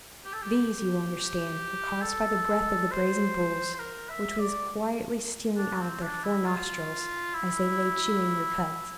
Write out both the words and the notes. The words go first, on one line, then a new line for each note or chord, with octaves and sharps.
These, you will understand, were caused by the breath of the brazen bulls, which was quietly stealing out of their four nostrils, as they lay chewing their cuds.
G4
A4
G4
A4
C5
C5
A#4
E5
D5
D4
C4
D4
E4
F4
E4